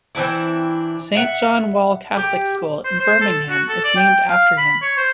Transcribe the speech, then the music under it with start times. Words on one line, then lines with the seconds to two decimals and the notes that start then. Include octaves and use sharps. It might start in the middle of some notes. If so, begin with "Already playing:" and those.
Saint John Wall Catholic School in Birmingham is named after him.
0.15 E3 C4 D4 E4
1.15 E5 F#5
2.17 G4
2.85 C5
2.99 C5
3.21 A4
3.49 F#4
3.68 A4
3.84 D5
3.96 G5
4.29 F5
4.57 B5
4.82 C#5
4.97 C5